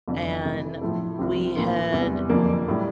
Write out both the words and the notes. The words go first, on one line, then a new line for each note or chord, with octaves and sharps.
And we had
F1 F2 D3
C3 E3 A3
A2 F3 A3 E4 A4
C2 C3 F3 C4 G4
A2 E3 A#3 F4
E2 C3 G3
F2 D3 F3 A#3
A2 G3